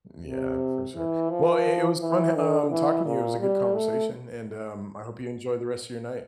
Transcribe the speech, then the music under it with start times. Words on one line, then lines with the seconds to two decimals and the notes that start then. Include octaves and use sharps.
Yeah, for sure. Well, it it was fun e um, talking to you. It was a good conversation, and, um, I hope you enjoy the rest of your night.
0.26 C3
0.96 E3
1.30 F3
2.01 E3
2.35 D3
2.70 E3
3.05 A#2
3.40 G3
3.75 A3